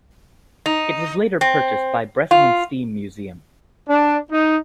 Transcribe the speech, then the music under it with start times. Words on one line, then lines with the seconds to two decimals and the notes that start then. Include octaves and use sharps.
It was later purchased by Bressingham Steam Museum.
0.66 D#4
1.41 C4
2.31 F4
3.88 D4
4.31 D#4